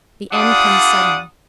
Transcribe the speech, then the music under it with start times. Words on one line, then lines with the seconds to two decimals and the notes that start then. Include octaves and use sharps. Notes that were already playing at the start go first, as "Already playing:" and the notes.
The end comes suddenly.
0.32 G3 D4 F4 F#5 D6 D#6